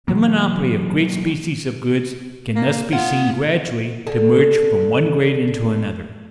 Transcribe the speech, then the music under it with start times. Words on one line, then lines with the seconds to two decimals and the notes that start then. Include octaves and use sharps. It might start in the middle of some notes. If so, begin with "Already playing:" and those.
The monopoly of great species of goods can thus be seen gradually to merge from one grade into another.
0.08 B2 E3 F#3 A#3
2.56 A#3
2.93 A#3 F4 F#5
4.07 D3 G#4 A4